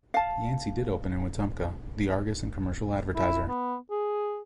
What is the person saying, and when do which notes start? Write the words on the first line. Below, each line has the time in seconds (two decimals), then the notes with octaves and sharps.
Yancey did open in Wetumpka the "Argus and Commercial Advertiser".
0.14 F5 A5
3.16 E4
3.49 B3
3.91 G#4